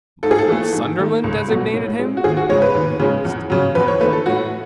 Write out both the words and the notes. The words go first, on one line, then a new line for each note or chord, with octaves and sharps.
"Lord Sunderland designated him?" he asked, amazed.
G#2 A4
G#4
A4
E3 A3
G#2
D#3 A3
C#2
B2 F#3 A3
A2
G#3
F#4
D#2 G#4
F#4
C#3 G#3 C#5
B4
D#2
C#3 G#3
E2
C#3 F#3
E2 B4
C#5
D#3 A3 B4
A4
A2 F#4